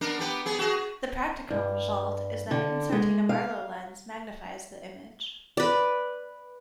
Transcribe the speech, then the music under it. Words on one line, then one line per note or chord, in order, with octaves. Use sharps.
The practical result is that inserting a Barlow lens magnifies the image.
B3 D4 A#4
B3 G4 B4
B3 G#4
F#4 G#4
G2
D3
G#3
F5
B4 D5